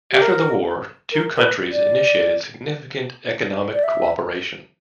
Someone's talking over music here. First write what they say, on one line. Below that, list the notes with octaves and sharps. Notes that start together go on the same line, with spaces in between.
After the war two countries initiated significant economic cooperation.
G4
A#4
A#4
A#4
B4
D5
D5
E5